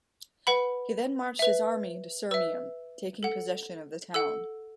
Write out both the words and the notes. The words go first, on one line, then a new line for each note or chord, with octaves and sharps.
He then marched his army into Sirmium, taking possession of the town.
B4 F#5 B5
B4 E5
B4 E5 E6
A4 F#5
A4 F#5 E6